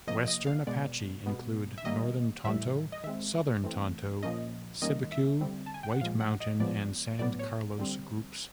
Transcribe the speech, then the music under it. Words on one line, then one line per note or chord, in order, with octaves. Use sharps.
Western Apache include Northern Tonto, Southern Tonto, Cibecue, White Mountain and San Carlos groups.
C3 F3 A#3 D#5
D#5
F5
B2 G#3 B3 D5
B2 G#3 B3
E5
D#3 G3 A#3 D#5
A2 E3 G3 E5
D#5
D#3 G#3 C4 E5
E3 A3 C4
A#2 F3 A#3 C#4 D#5
D#3 G3 A#3 C#4 D#5
E5
D3 G3 C4
A5
G#5
G5
F#5
A#2 F3 G#3 F5
F#5
D#5
A2 F3 G#3 B3 D5
A2 F#3 B3 D5
C#5
D3 G3 C4